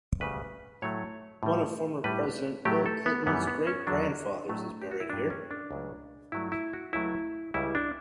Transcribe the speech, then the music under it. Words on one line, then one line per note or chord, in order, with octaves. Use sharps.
One of former President Bill Clinton's great-grandfathers is buried here.
D2 C#3 G3 B4
A2 F#3 A3 C#5
A2 G3
A2 G3 B4
A2 F#3 A3 G4
A4
B3
F#2 E3 G3 B3
B3
C#4
E2 D3 F#3 D4
A2 F#3 A3
G4
F#4
E4
G2 F#3 A3 D4
C#4
D4
C#2 C#3 F#3 A3
G2 F#3 A3 E4
E4
F#4
C#2 C#3 F#3 A3 E4
C#2 C#3 G3 E4
D4